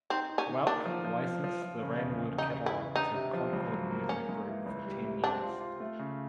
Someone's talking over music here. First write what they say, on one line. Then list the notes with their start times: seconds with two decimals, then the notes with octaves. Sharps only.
Welk licensed the Ranwood catalog to Concord Music Group for ten years.
0.10 C4 D#4
0.29 D#4
0.38 C#4
0.48 D#3
0.67 A#3 D4
0.85 F3
1.05 F3
1.25 F3
1.44 F3
1.62 F3
1.82 C#3
2.01 E2
2.20 C#3
2.38 C#3 D#4
2.58 C#3
2.66 E4
2.76 E3
2.96 D4 D#4
3.14 C3
3.33 F3
3.53 C#2
3.71 F#3
3.90 A#3
4.09 A#3 C#4
4.29 G#2
4.47 E3
4.66 C#2
4.85 G3
5.05 C3
5.23 C4 D4
5.43 F4
5.61 F4
5.80 A3
5.99 C#3